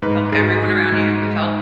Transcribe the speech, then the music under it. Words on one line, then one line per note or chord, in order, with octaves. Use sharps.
help everyone around you, help
G#2 B4
G#2 G#4
F#4
G#4
G#2 F#4
G#2
G#3